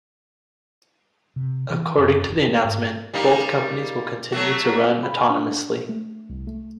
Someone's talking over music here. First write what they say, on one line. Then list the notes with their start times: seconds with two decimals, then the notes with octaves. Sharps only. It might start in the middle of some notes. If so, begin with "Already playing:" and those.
According to the announcement, both companies will continue to run autonomously.
1.36 C3
1.70 E3
1.98 F#2
2.27 E1
2.48 A3
2.64 G#2
3.14 G3 A#3 D#4
4.32 F#3 A3 F#4
5.03 B5
5.30 D4
5.89 A3
6.29 C2
6.47 A3